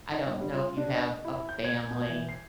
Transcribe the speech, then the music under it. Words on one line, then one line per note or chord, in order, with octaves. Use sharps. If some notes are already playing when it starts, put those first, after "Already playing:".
I don't know if you have a family,
D#4
G1
G3
F4
D4
D#5
E4
G6
G#6
B2
E3
C7